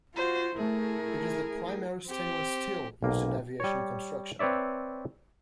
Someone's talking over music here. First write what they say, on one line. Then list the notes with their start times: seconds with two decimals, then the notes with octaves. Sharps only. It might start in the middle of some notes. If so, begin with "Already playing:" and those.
It is the primary stainless steel used in aviation construction.
0.15 F4 F#4 C5
0.57 A3 E4 G#4 A#4
2.07 C4 G4
3.03 B1 A#3
3.60 G3 C#5
4.39 C4 B4 C#5 D5 E5